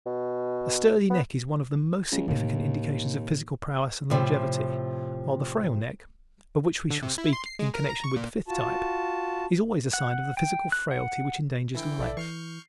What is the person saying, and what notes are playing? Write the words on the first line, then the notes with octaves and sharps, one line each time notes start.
A sturdy neck is one of the most significant indications of physical prowess and longevity, while the frail neck--of which we shall speak in connection with the fifth type--is always a sign of the physical frailty which endangers life.
B2
B3
C#2
D#2 A2 C3
A2 C3 F3
D3
C3
E4
C6
C7
G#3
A#4
A#5
C#6
A#2
F4 F#4 A5
F#5
G5
F#6
F#5
D3 E3 E4 G5
A#1 A4 D5 E5
E3 C#6 F6 G6 C7